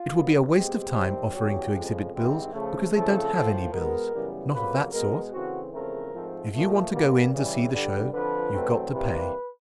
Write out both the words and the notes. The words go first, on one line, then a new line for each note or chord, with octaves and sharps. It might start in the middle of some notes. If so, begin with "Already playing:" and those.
It would be a waste of time offering to exhibit bills, because they don't have any bills--not of that sort. If you want to go in to see the show, you've got to pay.
Already playing: F4
F#2 D3 F#3 B3
B2 G#3 C4 G4
C3 D#3 G3 C4
E2 C#3 F#3 G4
F2 C#3 F3 G#3
G#2 E3 G3 C4
C#3 F3 A3
C#3 F3 A3 C4 A4
A2 F3 A#3
B2 G#3 B3 A#4
F#2 C#3 E3 G3 B3
F2 C#3 F#3 A#3 B4
B2 G#3 B3 A#4
C#3 E3 A3 C4 F#4
E2 C#3 F3 A3 C4 A#4
G#2 F3 A3 C4
A#2 F3 A3
B2 G3 A#3
C#3 E3 G3
G2 D3 G3
F2 D3 F3 B4
E2 B2 F#3 A3 C4
C3 E3 G3 A#3 B4